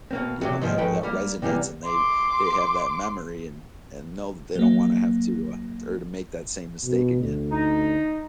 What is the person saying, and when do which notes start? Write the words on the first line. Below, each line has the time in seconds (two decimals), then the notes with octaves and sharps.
you know, that that resonates and they they have that memory and and know they don't wanna have to, uh, or to make that same mistake again.
0.11 B2 A#3 C4
0.41 C3 F#3 G4
0.61 G#2 D#3 F3 A#3
0.78 G#2 F3 A3 B4 G5
1.03 G3 A#3
1.42 C3 E3 G3 A#3 B3
1.84 C6 D6
4.56 F#3 A#3
6.85 B2
7.20 D2
7.51 D#4